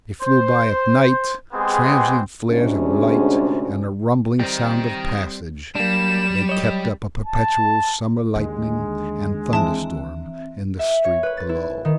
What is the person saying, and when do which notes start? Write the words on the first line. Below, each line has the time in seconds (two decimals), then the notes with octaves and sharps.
As they flew by at night, transient flares of light and a rumbling sound of passage, they kept up a perpetual summer lightning and thunderstorm in the street below.
0.22 C5
1.53 G#3 B3 C4 G4 G#4
2.49 D2 G#2 C3 G#3 C#4 D4
4.40 G3 C4 D#5 G5
5.75 F#3 G3 A#3 D4 E7
6.49 C#5 D#5
7.26 A5
8.35 D#2 D3 G#3
9.53 E3 C4 E5 A5
10.79 E5
11.04 C#5
11.23 B4
11.37 A6
11.49 E4
11.85 D#3